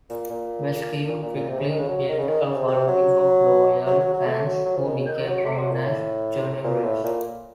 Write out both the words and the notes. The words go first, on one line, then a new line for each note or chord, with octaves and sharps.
Vasquez quickly built a following of loyal fans who became known as "Juniorites".
A#2
A#2
A#2
A#2
A#2
C3
C#3
D#3
C#3
F#3
D#3
C#3
D#3
C#3
C3
C3
F#3
F#3
F#3
F#3
A3
F#3
F#3
F3
D#3
C#3
D#3
F#3
A3
F#3
A#2
A2
A#2
A2
A#2